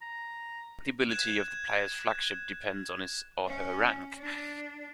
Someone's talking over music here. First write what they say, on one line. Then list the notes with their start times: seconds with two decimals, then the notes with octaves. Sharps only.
The ability of the player's flagship depends on his or her rank.
0.02 A#5
1.09 F#6 G#6 E7
3.47 C#4
4.18 D4